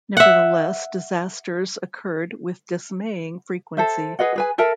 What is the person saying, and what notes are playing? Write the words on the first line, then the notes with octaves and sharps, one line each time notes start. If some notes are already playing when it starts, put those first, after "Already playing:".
Nevertheless, disasters occurred with dismaying frequency.
E5 F#5
A4 C5 E5
G#4 B4 D#5 F#5
G#4 B4 G#5
A4 A#4 E5 A5